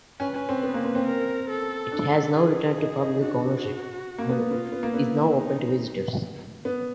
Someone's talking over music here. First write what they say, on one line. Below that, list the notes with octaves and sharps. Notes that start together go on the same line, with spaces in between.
It has now returned to public ownership and is now open to visitors.
C#4 B4
C#4
C4
B3
A#3
C4
C4
A#4
A4
D4
G#4
D#4
D#4
D4 F#4
A#3
B3
B3
B3 F4
B3
A#3
B3 E4
D#4
B3